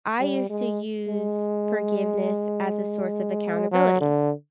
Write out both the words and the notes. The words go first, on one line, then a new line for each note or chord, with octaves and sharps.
I used to use forgiveness as a source of accountability.
G3
G#3
G#3
F#3
D3